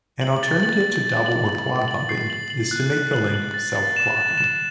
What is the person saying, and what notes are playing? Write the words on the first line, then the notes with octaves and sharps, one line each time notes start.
An alternative to double or quad pumping is to make the link self-clocking.
F#7
A6
F#7
A6
A6
F#7
F#7
F#7
F#7
C7
F#7
F#7
F#6
F#6
F#7
F#7
A6
A6
E7
A6
E7